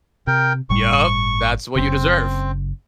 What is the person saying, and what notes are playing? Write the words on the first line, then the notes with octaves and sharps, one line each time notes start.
Yup. That's what you deserve.
C3 A#4 G5
G1 A2 G3 C#6
F#1 C#3 C4